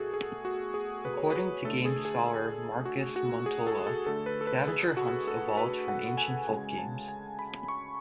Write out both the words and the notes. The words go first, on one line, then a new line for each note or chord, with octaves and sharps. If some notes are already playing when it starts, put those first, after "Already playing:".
According to game scholar Markus Montola, scavenger hunts evolved from ancient folk games.
Already playing: B2 A3 F#4 G#4 A4
G#4
F#4
G#4
B4
C#5
B4
D3 A3 A4
G#4
G#4
F#4
F#4
G#4
A4
A4
D3 A3 A4
B4
A4
B4
G#4
F#4
A4
B4
F#5
G#5
C#3 G#3 G#5
A5
G#5
B5
C#6